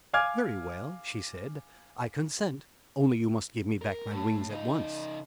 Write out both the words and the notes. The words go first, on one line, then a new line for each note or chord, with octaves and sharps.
"Very well," she said; "I consent, only you must give me back my wings at once."
F5 G#5 D6 F6 G#6
A#4
A2
C#3 D#4